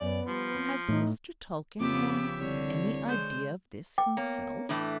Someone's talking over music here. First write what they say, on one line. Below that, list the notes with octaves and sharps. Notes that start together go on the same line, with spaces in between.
Has Mr. Tulkinghorn any idea of this himself?
F#2 B3 D5
F3 G3
C4 C#5
A2 B3 D#4
F2 C#3 F3 B3 G4 E5 D6
C2 D3 C#5
G#3 C5
G5 D6
A#3 B3 C#5 C#7
A2 E3 A3 D4 D6